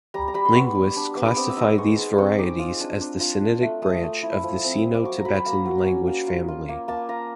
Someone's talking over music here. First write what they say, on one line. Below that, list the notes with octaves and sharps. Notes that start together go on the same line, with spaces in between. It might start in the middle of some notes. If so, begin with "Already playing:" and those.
Linguists classify these varieties as the Sinitic branch of the Sino-Tibetan language family.
G3 A#5
A#5
G3 B5
C6
B3 C#6
G3
D4
B3
D6
C4 D#6
E6
D#4 D#6
G#3 C#6
G#3 C6
C4 C#6
D#4 D6
F4 D#6
D4
D4
F4
D4
A3
A3 D#6
A3
E4
F3
C4
F3
D6
F#3 C#6
A#5
F#3 B5
A#3 A#5
F#3
C#4
A#3
F4
F4
A#3
A#3 A5
F4 A#5